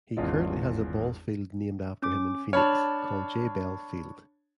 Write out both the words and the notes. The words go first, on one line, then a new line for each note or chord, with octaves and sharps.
He currently has a ballfield named after him in Phoenix, called Jay Bell Field.
G#1 E2 C#4 F4 D#5
C#4 D6
D4 C#5 A5 B5 F6